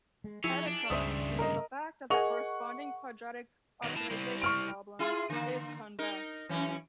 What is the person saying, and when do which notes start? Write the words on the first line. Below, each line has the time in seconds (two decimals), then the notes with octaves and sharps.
AdaTron uses the fact that the corresponding quadratic optimization problem is convex.
0.24 G#3
0.44 F3 C#4 E4 G#4
0.67 D4
0.90 C#2 G2 C#3 C5 D5 E5 D#6
1.39 A#4 D#5
2.10 G#4 A#4 D#5 F#5 G#5 C#6
3.84 D#3 F#3 B3
3.96 E4 A5
4.11 G3 E4 C5
4.42 C#6 F6 D7
4.99 E4 F4 G#4
5.30 D3 A#3
5.99 D#4 A#4
6.49 F#2 E3 C#4